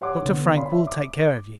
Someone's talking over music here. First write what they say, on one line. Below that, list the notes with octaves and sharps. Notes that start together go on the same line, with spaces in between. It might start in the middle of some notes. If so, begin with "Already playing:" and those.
Dr. Frank will take care of you.
G4 C#5 F#5 C6 D6
D3 B3
C#5 D5 F5 G#5 B5 C6
E5
D6